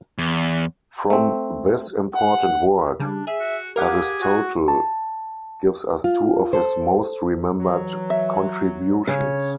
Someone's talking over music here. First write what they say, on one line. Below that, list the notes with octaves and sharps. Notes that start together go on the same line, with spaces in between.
From this important work Aristotle gives us two of his most remembered contributions.
E2
A3 C4
F#5
C#3 G3 D4
G#4 E5
F#4
G4 G#4 A#4 F5 F#5
F#4
A5
F4
A4 C5
E3 F#3
E5
C#3 C#5